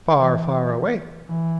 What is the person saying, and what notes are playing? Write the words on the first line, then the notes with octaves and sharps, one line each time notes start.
"Far, far away!"
E3
E3